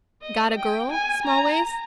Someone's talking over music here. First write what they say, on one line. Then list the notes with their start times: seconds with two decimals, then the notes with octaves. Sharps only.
"Got a girl, Smallways?"
0.22 D#5
0.56 G5
0.91 G#5
1.26 A#5